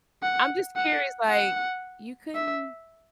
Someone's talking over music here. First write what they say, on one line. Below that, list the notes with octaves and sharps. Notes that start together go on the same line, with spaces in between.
I'm just curious, like, "You couldn't,
F#5
F#5
F#5
E5